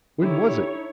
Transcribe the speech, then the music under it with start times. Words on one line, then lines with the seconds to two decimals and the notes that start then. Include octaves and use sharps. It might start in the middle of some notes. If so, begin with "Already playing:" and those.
When was it!
0.21 D3 D#4 E4 G4 C#5